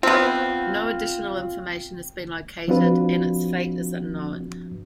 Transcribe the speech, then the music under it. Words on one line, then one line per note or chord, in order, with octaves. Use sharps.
No additional information has been located, and its fate is unknown.
B3 C4 F4 F#5
F3 C4 D4 F4 F#4 B4